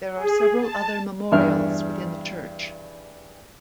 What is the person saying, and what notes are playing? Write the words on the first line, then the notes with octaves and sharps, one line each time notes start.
There are several other memorials within the church.
G#4
A5
E2 G2 D4 E5 F6